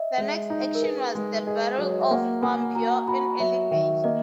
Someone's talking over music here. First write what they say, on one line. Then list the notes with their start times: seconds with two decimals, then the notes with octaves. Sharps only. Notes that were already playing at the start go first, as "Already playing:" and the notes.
The next action was the Battle of Fombio in early May.
Already playing: D#5 E5
0.18 G#3
0.50 D#4
0.75 A#4
0.82 G#4 B4
1.15 G#3
1.47 G#4 D#5
1.78 F#3
1.83 C#5
1.92 D#5
2.01 E5
2.11 A#3 F#5
2.43 A#3 G#5
2.75 F#4 A#5
3.08 F#4 B5
3.39 F#3 E5
3.71 D#3 E5
4.04 A#3 D#5